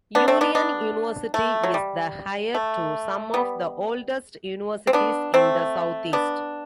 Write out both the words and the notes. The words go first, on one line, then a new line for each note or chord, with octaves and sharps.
Union University is the heir to some of the oldest universities in the Southeast.
B3 D4
A3 C4
B3 D4
B3 D4
A3
F#3
G3
A3
G3 B3
C4
B3 D4
A3 C4
B3 D4